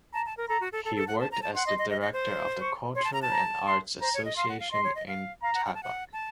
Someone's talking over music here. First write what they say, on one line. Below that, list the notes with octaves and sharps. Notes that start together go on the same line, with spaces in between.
He worked as the director of the Culture and Arts Association in Tabuk.
A5 A#5
A5
A#4
A4 A#5
F#4
A4
A4 A5
A4
F#5
A5
A#5
A5
F#5 C6
D#5
D#5
D#5
D#5
C5
C#6
C#5 C6
A5
A#5
A5
A#5
C6
C5 A#5
C#5
D#5
F5 C6
F#5
F5
D#5 C6
C#5
D#5
F5
F5 A#5
F#5
F#5
A5
F#5
A5